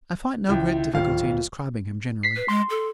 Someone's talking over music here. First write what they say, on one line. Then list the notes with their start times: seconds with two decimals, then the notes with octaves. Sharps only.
I find no great difficulty in describing him, generally.
0.49 C#2 E4 G5
0.94 D1 D#2 F4 F5
2.23 B6 C7
2.36 B4
2.48 G#3 C6
2.70 A4